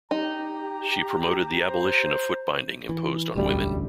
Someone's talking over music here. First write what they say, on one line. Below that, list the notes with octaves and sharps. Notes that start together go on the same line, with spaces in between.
She promoted the abolition of foot binding imposed on women.
D#4 G4 A#5
C5
E3
E1 A1 D2 G3